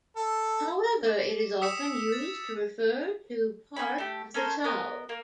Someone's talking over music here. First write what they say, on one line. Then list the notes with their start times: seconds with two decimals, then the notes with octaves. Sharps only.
However, it is often used to refer to part of the town.
0.16 A4
1.06 D6
1.61 D#6 E6 B6 C#7 E7
2.12 A6
3.76 C#4 D#4 G#5 B5
3.98 A3 G4
4.34 C#4 A4 A#4 C5
4.64 B3 A#4 D#5
5.09 A#3